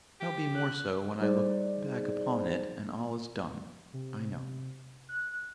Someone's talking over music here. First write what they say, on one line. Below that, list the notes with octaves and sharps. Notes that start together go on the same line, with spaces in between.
I shall be more so when I look back upon it, and all is done, I know.'
G4
F#6
G3 D#4 G#4 C5 D5
C3
F#6